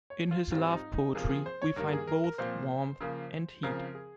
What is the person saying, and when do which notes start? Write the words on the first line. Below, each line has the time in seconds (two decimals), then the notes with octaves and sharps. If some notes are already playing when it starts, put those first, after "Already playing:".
In his love poetry, we find both warmth and heat.
0.10 C#5
0.31 F4
0.51 G#2 G3 C4 F4
0.72 D#4
0.94 D#4
1.14 C3 F3 A#3 G#4
1.29 G#4
1.46 C5
1.62 C#5
1.76 G2 D#3 A#3 A#4
1.93 G#4
2.07 A#4
2.24 A#4
2.38 A#2 F3 C4 C5
3.01 C#3 F3 A#3
3.63 C#3 F3 C4 A#4
3.95 G#4